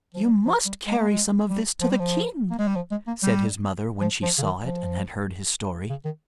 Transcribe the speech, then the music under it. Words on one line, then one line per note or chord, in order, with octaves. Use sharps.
"You must carry some of this to the king," said his mother when she saw it and had heard his story.
F3
G3
F3
G3
G#3
A#3
G#3
G3
F3
G3
F3
A#3
G#3
G3
F3
G#3
A#3
G3
F3
F3
C#3
D#3
F3
C#3
D#3